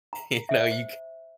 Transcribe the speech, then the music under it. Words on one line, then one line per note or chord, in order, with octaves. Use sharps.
You know, you
A#5
E5
C5